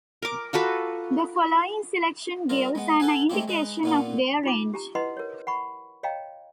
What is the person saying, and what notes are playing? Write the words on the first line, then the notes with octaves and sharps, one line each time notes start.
The following selection gives an indication of their range.
A#4 D6
F4 F#4 A4 B4
G3 C4 F4 A#4
G#3 B3
A4 B4 F#5 G#5
G#3 A3 C4 E4 G4
G#3 D#4 B4
A#2 B3 F4
D#4 F4 D6
G4 A5 A#5
E4 B4 D#5 F#5 A#5 C6
A#4 C#5
F#5 B5 C#6
C#5 D#5 F5 G5 A#5